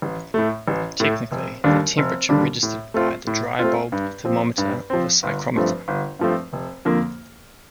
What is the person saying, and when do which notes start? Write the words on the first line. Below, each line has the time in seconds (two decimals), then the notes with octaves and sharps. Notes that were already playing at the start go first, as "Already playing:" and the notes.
Technically, the temperature registered by the dry-bulb thermometer of a psychrometer.
0.02 A1
0.34 A2 A3
0.68 A1
1.00 A2 A3
1.31 F1
1.64 D#2 D3 G3 D4
1.98 F1
2.29 D#2 D3 G3 D4
2.63 A2
2.94 A3 C4 F4
3.27 A2
3.59 A3 C4 F4
3.92 G2
4.25 F3 C4
4.58 G2
4.90 F3 C4
5.23 G1
5.56 G2 F3 A3 C4
5.88 G1
6.19 G2 F3 A3 C4
6.53 F1
6.85 F2 D3 F3 A#3